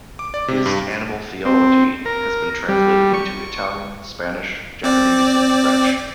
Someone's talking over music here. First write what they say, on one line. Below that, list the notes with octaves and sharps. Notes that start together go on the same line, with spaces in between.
His "Animal Theology" has been translated into Italian, Spanish, Japanese and French.
D6
D5
C3
G2
C4
A#4
G3
C#6
C4 D5